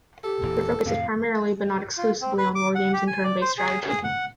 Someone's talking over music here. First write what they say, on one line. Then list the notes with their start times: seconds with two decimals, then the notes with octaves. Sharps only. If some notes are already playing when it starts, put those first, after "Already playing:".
Their focus is primarily but not exclusively on war games and turn-based strategy.
0.24 G4 A4
0.42 E1 A#2 E3
0.86 F2 A2 C3 F5
1.98 F4
2.21 C4
2.38 B4
2.55 D6
2.75 F#5
2.93 G4
3.07 G#5
3.24 D5
3.41 C5
3.58 G#4
3.89 G#4
4.04 F#5